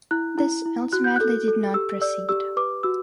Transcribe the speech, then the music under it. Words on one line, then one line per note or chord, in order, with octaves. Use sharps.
This ultimately did not proceed.
E4 F#6
E4
E4
F#4 F#6
G6
A4 F#6
A4
G4 E6
D5 E6
G4 E6
B4 D6
F#4 E6